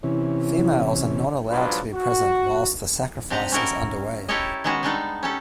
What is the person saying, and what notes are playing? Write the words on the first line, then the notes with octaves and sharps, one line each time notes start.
Females are not allowed to be present whilst the sacrifice is underway.
C3 E3 C#4 E4
G#2 F#3 D4 F4 B4
F#4
C3 D4 G4 D#5 A#5
C#4 E4 F#4 A#4 D#5
E4 G4 A4 A#4 C#5 D#5
D#3 G#3 B3 C#4 F#4
G3 G#3 B3 D4 D#4 A4
C#4 G4 A4